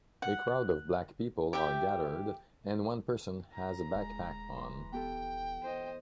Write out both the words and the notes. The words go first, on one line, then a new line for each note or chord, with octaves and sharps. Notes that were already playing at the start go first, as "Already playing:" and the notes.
A crowd of black people are gathered and one person has a backpack on.
F#5
G4 E5 G5
A#5
D#1 G#3
E3 B4 C6
B3 G4 A4 G5
C5 D#5